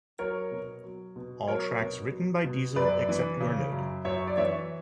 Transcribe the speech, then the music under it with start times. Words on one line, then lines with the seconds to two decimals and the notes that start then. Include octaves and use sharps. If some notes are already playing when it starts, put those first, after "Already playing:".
All tracks written by Diesel except where noted.
0.19 F#3 A#4 C#5
0.51 B2
0.84 F#3
1.16 B2
1.47 F#3 A#4 C#5
1.80 B2
2.12 F#3
2.44 B2
2.76 F#2 B4 D5
3.09 E3
3.40 C#3
3.72 F#2
4.05 F#2 C#5 E5
4.27 D5
4.37 E3 C#5 E5